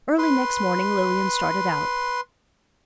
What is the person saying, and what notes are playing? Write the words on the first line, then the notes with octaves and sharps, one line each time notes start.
Early next morning Lilian started out.
B4 C6